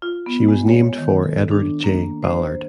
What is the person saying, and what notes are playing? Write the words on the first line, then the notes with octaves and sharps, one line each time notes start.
She was named for Edward J. Ballard.
F4
B3
G#3
C#5
D#3
A4
D4
A#3
C5